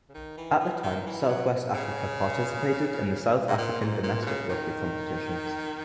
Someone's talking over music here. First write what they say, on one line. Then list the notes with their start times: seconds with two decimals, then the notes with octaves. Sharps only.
At the time South West Africa participated in the South African domestic rugby competitions.
0.09 C#3
0.14 D#3
0.37 E3
0.60 E3
0.83 D#3
1.06 E3
1.29 F#3
1.74 C#3
3.48 G#2
3.58 A#2
3.81 G#2
4.03 A#2
4.22 B2
4.26 C#3
4.49 D#3